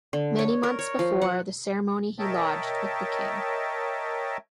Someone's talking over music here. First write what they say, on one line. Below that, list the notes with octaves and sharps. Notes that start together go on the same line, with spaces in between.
Many months before the ceremony he lodged with the king.
D3
C#5
A#4
C#5
F3
F#5
A#4 C#5 D#5 E5 G5 A5